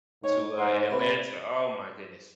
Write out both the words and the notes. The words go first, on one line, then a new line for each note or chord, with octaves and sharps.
to, uh, Atlanta. Oh, my goodness.
G#2 C#5
G#2 C5
C3 B4